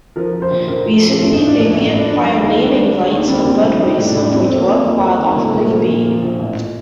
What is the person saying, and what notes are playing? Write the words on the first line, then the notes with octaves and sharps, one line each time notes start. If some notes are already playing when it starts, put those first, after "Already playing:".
Recently, they reacquired naming rights for Budweiser for Europe while offering B.
F3 A#4
F3
C5
A#1
A#1 A#4
F3
A4
F3
A1 F4
A1 D#4
D4
F3 A#3
A1 A3
G2
D4
F3
G3 D4
D#2 D#4
F4
D#3 D4
G3
G3
D#2
G3 C4
A#3
A#1 C4
A#1 D4
G3 D#4
A2
D4
A2
F2 C4
F2 C4
A#3
F2
F2
G3
D#3
A#3
A#1 A3
A#1 A#3
A3
F3 A#3
A#2 A#3
F3
A#1
A1